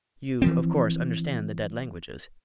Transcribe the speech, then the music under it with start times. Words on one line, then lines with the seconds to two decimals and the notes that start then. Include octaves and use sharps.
"You, of course, understand the dead languages?"
0.42 E3 F3 C4